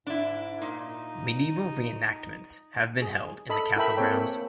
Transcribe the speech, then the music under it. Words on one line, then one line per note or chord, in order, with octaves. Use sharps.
Medieval reenactments have been held in the castle grounds.
G#2 D4 E4
A#2 D#4
G#4
A4 D#5 B5
E4 A4 A#4 E5 G5 B5
A#3 C4 G#4 A4 C#5 G5